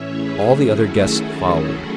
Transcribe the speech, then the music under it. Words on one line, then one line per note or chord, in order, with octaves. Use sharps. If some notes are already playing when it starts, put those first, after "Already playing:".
All the other guests followed.
Already playing: A2 E3 A3 C#4 C#5 E5
G#4 B4
D#3 F#3 A3 C#4 E4 G#4
F#4 A4